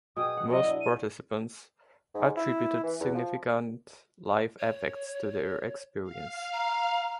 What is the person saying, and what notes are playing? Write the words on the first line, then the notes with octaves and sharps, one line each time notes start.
Most participants attributed significant life effects to their experience.
B2 G#4 G5 D#6
F#5
F#3 B3 D5 D#5
D4 E4
D#7
G#2
E4
E3
E2
F3
C#5
F5
A#5